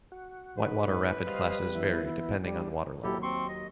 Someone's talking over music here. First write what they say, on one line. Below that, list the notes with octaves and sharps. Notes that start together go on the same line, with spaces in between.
Whitewater rapid classes vary depending on water level.
F#4
G#2 B4
G3 C5 D#5 F5
E3 B3 E4
G3 D4
D#2 F#3 E4 G4 A4
C4 C6 C#6
D#5